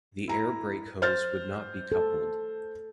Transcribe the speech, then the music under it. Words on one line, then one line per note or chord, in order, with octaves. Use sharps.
The air brake hose would not be coupled.
E4 A#5
C5 F6 A6
A4